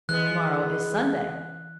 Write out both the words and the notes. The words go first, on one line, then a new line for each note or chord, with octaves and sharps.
"To-morrow is Sunday."
E3 G#3 B3 F#6